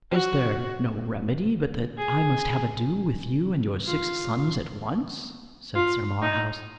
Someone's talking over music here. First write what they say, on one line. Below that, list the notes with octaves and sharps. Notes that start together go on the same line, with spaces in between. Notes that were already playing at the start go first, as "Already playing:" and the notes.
Is there no remedy but that I must have ado with you and your six sons at once? said Sir Marhaus.
F#4
G#4
F4
F4
D#4